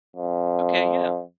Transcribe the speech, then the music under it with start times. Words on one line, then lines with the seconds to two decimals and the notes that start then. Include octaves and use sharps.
Okay, yeah.
0.16 F2